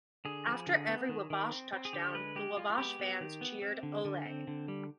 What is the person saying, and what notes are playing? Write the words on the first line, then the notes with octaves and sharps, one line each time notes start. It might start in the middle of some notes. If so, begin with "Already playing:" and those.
After every Wabash touchdown, the Wabash fans cheered Ole!
D3 G#4
F3
D3
B3
D#3
D#3
C4
C4
G#4
D3 G4
G#3 B4
G#3 G4
G#3 F4
F4
B3 G4
B3
D#3
B3
C4
D3
D3
C4
D3
G3